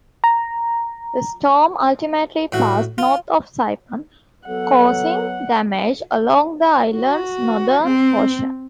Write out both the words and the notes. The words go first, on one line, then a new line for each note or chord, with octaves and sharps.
The storm ultimately passed north of Saipan, causing damage along the island's northern portion.
A#5
A2 F#4
F4
F#3 B3 A4 F#5
F#4
C4